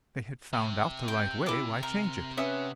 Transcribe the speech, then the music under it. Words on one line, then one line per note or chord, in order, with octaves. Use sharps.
"If they had found out the right way, why change it?"
C3
G5
E4 D6
A#4
C#4 B4 E5 F#5 D#6